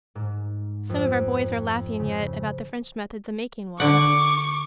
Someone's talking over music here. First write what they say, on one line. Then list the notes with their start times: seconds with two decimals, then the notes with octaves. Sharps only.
Some of our boys are laughing yet about the French methods of making wine.
0.15 G#2
0.89 F2
2.00 C#3
3.80 D3 F#5 C#6 D6